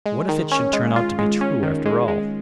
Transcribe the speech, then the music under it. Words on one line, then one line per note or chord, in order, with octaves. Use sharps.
What if it should turn out to be true after all!
G#3
D#3
C#4
G#3
F4
G#3
C#4
D#3
G#3
G#3